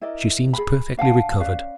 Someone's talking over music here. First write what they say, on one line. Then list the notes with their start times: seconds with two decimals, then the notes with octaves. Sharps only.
She seems perfectly recovered.
0.01 E4 A#4 D5 D#5
0.53 G#4 B5
0.97 D4 F5 F#5 A5
1.40 C#4 B4 D5 F5